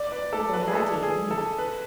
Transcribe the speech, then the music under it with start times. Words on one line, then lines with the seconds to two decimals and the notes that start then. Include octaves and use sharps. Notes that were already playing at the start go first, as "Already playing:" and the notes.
People had to eat meat.
Already playing: D5
0.12 B4
0.33 A4
0.53 B4
0.68 G#4
0.75 A4
1.03 G#4
1.31 A4
1.58 B4